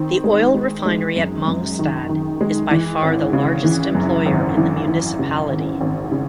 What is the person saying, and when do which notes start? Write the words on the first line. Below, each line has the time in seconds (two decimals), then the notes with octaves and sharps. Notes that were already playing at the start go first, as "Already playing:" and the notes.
The oil refinery at Mongstad is by far the largest employer in the municipality.
Already playing: D#3 C4
0.24 G#3
0.54 G#3
0.86 G#3
1.16 F#2
1.48 F#2
1.79 D#3
2.09 D#3
2.41 G#3
2.71 E3
3.03 G#1
3.33 C#3
3.64 E3
3.95 F#2
4.26 G#1
4.57 E3
4.88 E3
5.19 C#3
5.50 G#1
5.81 G#1
6.12 C#3